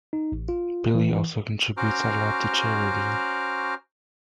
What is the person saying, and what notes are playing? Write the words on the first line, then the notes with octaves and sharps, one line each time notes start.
Billy also contributes a lot to charity.
D#4
A1
F4
E3
C#4 F#4 C5 A#5 D6 F6